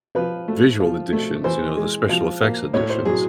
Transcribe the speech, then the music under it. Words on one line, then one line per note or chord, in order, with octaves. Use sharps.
visual editions, you know, the special effects editions.
F3 B4
A3
F3
A3
E3 C5
G#3
F3
A#3
A2 C#5
C5
F#3 G#4